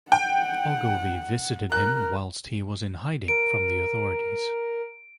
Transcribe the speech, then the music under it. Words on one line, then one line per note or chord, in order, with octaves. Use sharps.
Ogilvie visited him whilst he was in hiding from the authorities.
F#5 G5
A#4 F#6
A#4 D7